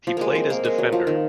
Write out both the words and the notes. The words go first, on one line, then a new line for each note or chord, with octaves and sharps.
He played as defender.
F3
G#3 A#3
C4
A#3
G#3
F#3
F3
D#3